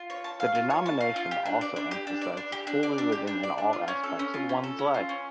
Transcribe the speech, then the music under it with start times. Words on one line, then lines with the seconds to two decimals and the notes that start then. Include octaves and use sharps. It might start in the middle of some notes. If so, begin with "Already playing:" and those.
The denomination also emphasizes holy living in all aspects of one's life.
Already playing: F4
0.10 C#5
0.24 A5
0.40 F5
0.55 F4
0.70 C#5
0.86 A5
1.01 F5
1.16 F4
1.31 G4
1.46 D4
1.61 D5
1.76 D4
1.91 G4
2.07 D4
2.21 D5
2.37 D4
2.52 G4
2.67 D4
2.83 D5
2.98 D4
3.12 G4
3.27 D4
3.43 D5
3.58 D4
3.73 F4
3.88 C#4
4.03 A4
4.19 C#4
4.34 F4
4.49 C#4
4.64 A4
4.79 C#4
4.94 F4
5.09 C#4